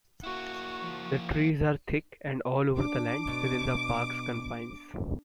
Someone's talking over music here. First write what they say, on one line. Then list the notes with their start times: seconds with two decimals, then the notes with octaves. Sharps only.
The trees are thick and all over the land within the park's confines.
0.23 A#3 E4 F#4 C#6
0.80 F3
2.78 D4 D6
3.27 B2